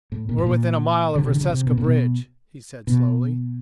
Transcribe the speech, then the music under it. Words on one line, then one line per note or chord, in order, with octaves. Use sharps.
"We're within a mile of Reseca bridge," he said slowly.
A2
A#2
A2
A#2
D3
C3
D3
C#3
C3
B2
A#2
B2
B2